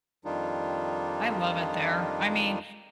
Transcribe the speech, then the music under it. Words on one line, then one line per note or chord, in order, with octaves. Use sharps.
I love it there, I mean
F2 D#3 G3 D4 D#4 F4